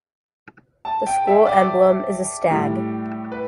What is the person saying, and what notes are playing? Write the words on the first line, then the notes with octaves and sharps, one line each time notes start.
The School emblem is a stag.
A5
G5
E5
D5
A2 G3
B4